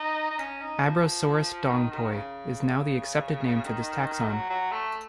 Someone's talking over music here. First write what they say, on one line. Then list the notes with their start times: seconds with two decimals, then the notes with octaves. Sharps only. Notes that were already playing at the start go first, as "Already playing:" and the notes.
"Abrosaurus dongpoi" is now the accepted name for this taxon.
Already playing: D#4
0.31 D#4
0.39 C#4
0.61 D#4
0.83 F3
1.69 D#3
1.91 D#3
2.12 C#3
3.64 D#3
4.28 F#3
4.50 F#3
4.72 A3